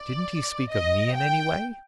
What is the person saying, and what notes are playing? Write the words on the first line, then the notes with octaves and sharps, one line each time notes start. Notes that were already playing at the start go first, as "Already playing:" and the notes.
"Didn't he speak of me in any way?"
Already playing: D5
D#5
G5